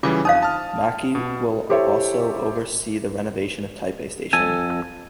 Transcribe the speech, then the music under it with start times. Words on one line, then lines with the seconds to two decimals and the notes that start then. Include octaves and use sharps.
Maki will also oversee the renovation of Taipei Station.
0.03 C#3 E3 G3 F4 D6
0.25 F2 D#4 C5 F5 D#6
0.43 A5 F6
1.15 B2
1.69 E4 G4 A4 C5 C#5 E5
4.33 F2 A4 G#5